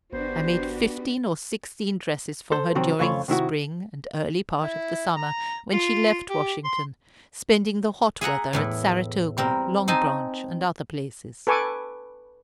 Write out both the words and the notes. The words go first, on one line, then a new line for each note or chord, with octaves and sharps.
I made fifteen or sixteen dresses for her during the spring and early part of the summer, when she left Washington; spending the hot weather at Saratoga, Long Branch, and other places.
G1 B3 D4 F#4 G4 C5
A4 C5
C3 D#3 F3 F#3 C4
F2 C#3 A3 F4 C#5 B5
C3 D#3 E4 F#4
E4
A#5
F4
G4
C6
G#4 E5 F#5 A#5
E2 A2 E4
G3 C4 A#4
C4 D#4 G#5 A5
A4 B4 G#5 C#6 D6